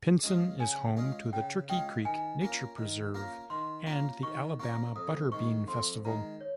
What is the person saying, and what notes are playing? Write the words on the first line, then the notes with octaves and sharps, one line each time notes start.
Pinson is home to the Turkey Creek Nature Preserve and the Alabama Butterbean Festival.
G#3 C#4 F4 G#4
C#3 G#5
G#3 C#4 F4 G#4
C#3 G5
G#3 C#4 F4 G#4 G5
D#3 G#5
A#3 C#4 F4 A#4
D#3
A#3 C#4 F4 A#4
D#3 C6
A#3 C#4 F4 A#4
D#3 C#6
A#3 C#4 F4 A#4 C#6
F2 D#6
D#3 G#3 C#6
F2 C6
D#3 G#3 A#5
C#5